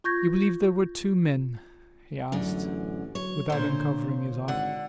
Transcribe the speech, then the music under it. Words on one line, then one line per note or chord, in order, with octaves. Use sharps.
"You believe there were two men?" he asked, without uncovering his eyes.
F4 C#6 G6 G#6 A#6
A1 F#2 D3
F#3 C#5
A#2 D3 C5
G#1 D3 F#5